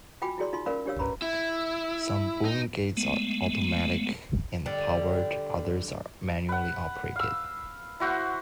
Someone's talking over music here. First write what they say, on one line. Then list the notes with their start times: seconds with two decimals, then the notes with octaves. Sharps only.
Some boom gates are automatic and powered, others are manually operated.
0.22 F4 F#4 G5 G#5 B5 D6
0.38 E4 F#4 G#4 D5 C6
0.53 D#4 F4 C6
0.66 C#4 A#4 D5 F5 B5 E6
0.86 D4 G4 C#5 F5 E6
0.99 C#4 B4 A#5 B5 C#6
1.22 E4
2.45 D#4
2.97 G#3 A3 B3
4.66 D3 G3
6.49 B4 F#5
7.16 F5 E6
8.00 E4 F#4 C5 F#5